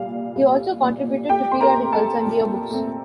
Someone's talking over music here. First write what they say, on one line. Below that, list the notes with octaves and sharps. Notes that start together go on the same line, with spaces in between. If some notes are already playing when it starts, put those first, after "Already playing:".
He also contributed to periodicals and year books.
Already playing: C2 A#2 G3 F5
C2
A#2 G3
A#2 G4 G5
C6
A#4 A#5
A3 C4
A4 A5
A#2
A3 C4